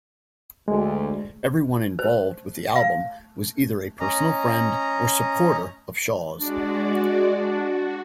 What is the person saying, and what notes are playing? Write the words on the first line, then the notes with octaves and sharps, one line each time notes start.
Everyone involved with the album was either a personal friend or supporter of Shaw's.
D2 G#3
C5
F5
C#4 D#5 A#5
G#3 D4 F#4 D5
D4 F#4